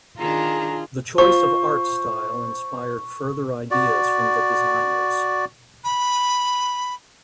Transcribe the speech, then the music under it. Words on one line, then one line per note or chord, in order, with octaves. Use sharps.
The choice of art style inspired further ideas from the designers.
D#3 D4 F4 G#4 A#5
F4 C5 C#6
F#4 D5
B5